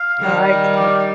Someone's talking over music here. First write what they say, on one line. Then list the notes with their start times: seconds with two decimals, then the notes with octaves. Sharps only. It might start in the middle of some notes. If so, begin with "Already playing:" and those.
No, I get that.
Already playing: F5
0.20 D#3 G3
0.48 F5
0.76 D5
0.98 D5